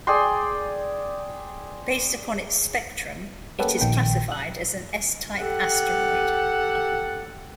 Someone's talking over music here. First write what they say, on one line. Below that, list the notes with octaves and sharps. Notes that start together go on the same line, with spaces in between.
Based upon its spectrum, it is classified as an S-type asteroid.
G#4 D5 G5 C6
A#3 B3 C#4 G4 A4 B4
A#1 D#3 G5
F#6
G4 A4 F#5